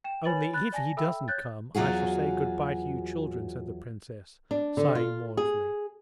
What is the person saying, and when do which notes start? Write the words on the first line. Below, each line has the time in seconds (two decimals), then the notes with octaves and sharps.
"Only if he doesn't come, I shall say good-bye to you children," said the princess, sighing mournfully.
0.04 G5 E7
0.25 B4 C#5 G#5 B5 A6 F#7
0.53 B5 F#6 A6
0.72 D5 G#5 A5 A#6
0.97 A4 E5 G5 B5 E6
1.28 C#5 F#6 G6 A6
1.75 E2 F#3 F4 F#4 G#4
4.51 D4
4.77 D3
4.95 F4
5.37 G#4